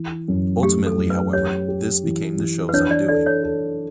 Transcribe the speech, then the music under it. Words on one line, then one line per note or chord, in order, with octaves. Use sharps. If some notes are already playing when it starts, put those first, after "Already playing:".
Ultimately, however, this became the show's undoing.
Already playing: E3
F#2
A3 G4
A4
F#2
B4
G4 C#5
G4
E3
E3
B4
D4 C#5
D5
A4 D5
C#5
A4